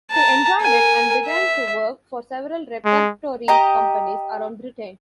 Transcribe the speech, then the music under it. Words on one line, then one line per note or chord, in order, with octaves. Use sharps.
He enjoyed it and began to work for several repertory companies around Britain.
A5 A#5
A#4 G#5
E5
G#3
G4 D#5 A#5